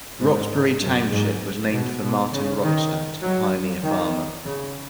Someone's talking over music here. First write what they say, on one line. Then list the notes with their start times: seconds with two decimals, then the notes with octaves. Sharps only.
Rocksbury Township was named for Martin Rockstad, a pioneer farmer.
0.20 G#2
0.81 F#2
1.11 G#2
1.71 B2
2.02 B2
2.32 C#3
2.63 D#3
3.23 F#3
3.83 D#3
4.45 C#3